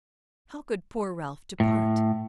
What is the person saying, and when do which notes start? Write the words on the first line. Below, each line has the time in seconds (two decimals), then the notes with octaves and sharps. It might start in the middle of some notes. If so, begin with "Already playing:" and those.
How could poor Ralph depart?
1.60 A2